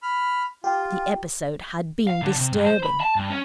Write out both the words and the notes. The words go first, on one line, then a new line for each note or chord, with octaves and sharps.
The episode had been disturbing.
B5 F6
F4 G4
F5
D3
C3
G2
C5
B5
A5
G2
C#4